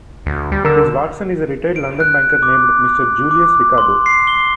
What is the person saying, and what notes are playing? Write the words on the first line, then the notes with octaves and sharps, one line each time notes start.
His "Watson" is a retired London banker named Mr. Julius Ricardo.
D2
G3
D3 A#4 E6
D7
F#6
D6
D6
C6
C7
G7